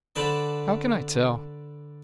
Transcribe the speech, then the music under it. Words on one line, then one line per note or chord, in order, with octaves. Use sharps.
How can I tell?
D3 B4 C5 D5 A5 B5